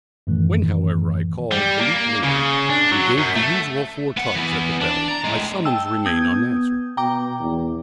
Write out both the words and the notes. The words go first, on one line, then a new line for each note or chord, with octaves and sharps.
When, however, I called a week later and gave the usual four tugs at the bell, my summons remained unanswered.
F#2 A2 D#3 E3 A3
G3
A#3
C#3
D4
F#3
F#2
A3
B3 F#5
E3 B3
D4
A#5
A2 G#3
G5 A5 E6
B3 D#6 G6 G#6
B2 G5 A#5 D6
E2